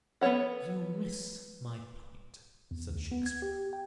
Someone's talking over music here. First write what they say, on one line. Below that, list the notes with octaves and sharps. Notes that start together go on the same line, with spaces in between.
"You miss my point," said Shakespeare.
B3 A4 B4 C#5 F#5
E2
D2
B3
G#6
G4
G5